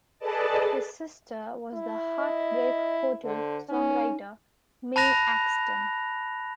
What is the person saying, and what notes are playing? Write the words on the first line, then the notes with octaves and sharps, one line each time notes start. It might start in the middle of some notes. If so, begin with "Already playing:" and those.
His sister was the "Heartbreak Hotel" songwriter Mae Axton.
G#4 A4 B4 D5 D#5 A5
E4
D#5
D3 C5
C#4 D#4
A5 B5 F#6 A#6 F7